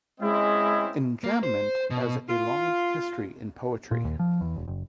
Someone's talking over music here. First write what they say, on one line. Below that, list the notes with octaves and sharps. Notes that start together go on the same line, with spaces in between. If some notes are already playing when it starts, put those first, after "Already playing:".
Enjambment has a long history in poetry.
G#3 C4 C#4 E4 D#5
A#3
C5
B2
F4
A#2
D#2
F3
E2
E1
F#1